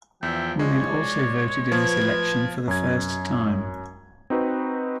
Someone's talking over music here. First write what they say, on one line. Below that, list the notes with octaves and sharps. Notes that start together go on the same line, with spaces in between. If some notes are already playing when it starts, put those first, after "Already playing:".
Women also voted in this election for the first time.
E2 F3 E5 G5
G#3 C#5 D5
F3 B4 G#6
F#2 G#6
C4 D#4 F#4 B4